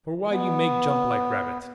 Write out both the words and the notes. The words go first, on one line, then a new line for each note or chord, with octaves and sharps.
For why you make jumps like rabbits!
B3